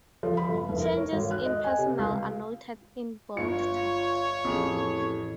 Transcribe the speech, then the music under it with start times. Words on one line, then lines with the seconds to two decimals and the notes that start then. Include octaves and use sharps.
Changes in personnel are noted in bold type.
0.23 F3
0.37 B5
0.49 G1
0.69 F1
0.82 A#4
0.96 C#5
1.12 G#1
1.31 F#6
1.45 D#5
1.64 G#5
1.78 C3
1.99 C#2
3.37 G1 F4 C#5 C#7
4.45 A1 F2 G#4 F7